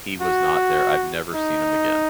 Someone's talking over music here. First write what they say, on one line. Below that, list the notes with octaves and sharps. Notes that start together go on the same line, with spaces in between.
He was not there. I've never seen him again.
F#4
D#4